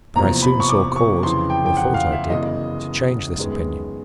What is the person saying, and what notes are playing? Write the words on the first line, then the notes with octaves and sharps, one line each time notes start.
But I soon saw cause--or thought I did--to change this opinion.
E2 C3 F3 A#3 A#5
B5
C#6
D6
C#6
F2 C#3 E3 C6
G5
G5
F#5
F5
E5
G1 F#2 C#3 E3 D#5
F#2 D#3 G#3 B3